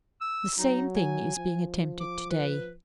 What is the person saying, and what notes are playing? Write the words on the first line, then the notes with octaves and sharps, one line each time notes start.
The same thing is being attempted to-day.
E6
F#3 D#4
G#5
F3
D6
B4